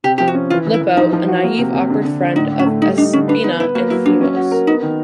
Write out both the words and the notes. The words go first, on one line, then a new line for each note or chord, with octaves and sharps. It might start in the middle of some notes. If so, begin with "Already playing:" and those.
Lipo: A naive, awkward friend of Espinha and Fimose.
C3 G4
F3 G4
F#4
C#4
E3 F4
E3
E4
E3
F3 D#4
F3
F#4
A#3
C3
C3
D3
D3
D3
A2 D#4
A2
C#4
A3
G3 D#4
D4 D#4
D3 C#4
D4 B4
B3 D#4
E4 B4
A#3 F#4
F#3 E4
F#3 D4
C#4
F#4
A#4
B3 D#4
D#3